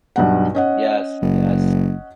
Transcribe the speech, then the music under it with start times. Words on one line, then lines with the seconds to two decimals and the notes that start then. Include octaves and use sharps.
Yes, yes.
0.16 B1 G2 F#5
0.55 C#4 D#5 F#5
1.22 F#1